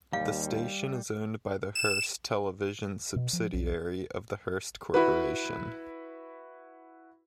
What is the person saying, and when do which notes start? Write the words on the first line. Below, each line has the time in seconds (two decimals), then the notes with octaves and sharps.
The station is owned by the Hearst Television subsidiary of the Hearst Corporation.
0.13 D#2 G3 F5
1.75 E7
3.16 B2
3.33 F3
3.54 B1
4.94 E4 F#4 B4